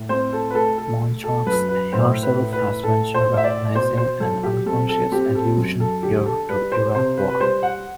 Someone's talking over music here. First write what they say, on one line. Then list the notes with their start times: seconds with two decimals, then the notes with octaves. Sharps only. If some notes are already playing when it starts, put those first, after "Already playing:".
Monchaux herself has mentioned recognizing an unconscious allusion here to the Iraq War.
Already playing: A2
0.09 C4 C5
0.33 A4
0.50 B4
0.55 A3 A4
0.78 A4
1.00 A3
1.24 A4
1.46 F#2 B4
1.69 B4
1.93 A2 C5
2.23 B4
2.38 A2
2.53 B4
2.83 A2 A4
3.14 C5
3.29 A2
3.37 E5
3.44 D5
3.75 B2 C5
3.97 C5
4.20 F#3 A4
4.43 G4
4.66 C4 A4
4.89 A4
5.12 C4 G4
5.35 A4
5.57 F#2
5.80 A4
6.03 D3 G4
6.26 A4
6.49 G3 B4
6.72 C5
6.95 C3 C5
7.17 B4
7.29 B4
7.40 G3 C5
7.63 F#5